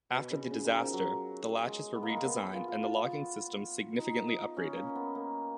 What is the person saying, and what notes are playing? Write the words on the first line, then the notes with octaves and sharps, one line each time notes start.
After the disaster, the latches were redesigned and the locking system significantly upgraded.
B2
C#3
C#3
D#3
F3
F#3
G#3
B3
A#3
G#3
A#3
B3
F4
F4
F4
D#4
D#4
C#4
A#3
B3
A#3